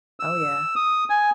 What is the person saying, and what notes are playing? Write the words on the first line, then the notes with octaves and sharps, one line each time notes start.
Oh, yeah.
E6
D#6
G#5